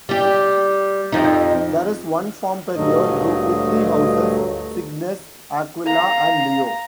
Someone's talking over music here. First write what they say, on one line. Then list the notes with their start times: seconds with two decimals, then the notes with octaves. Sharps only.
There is one form per year group with three houses: Cygnus, Aquilla and Leo.
0.09 G3 G4
1.12 F2 D#4
2.76 D2 G2 A#2 F#3 A3 D#5
5.86 F5 A#5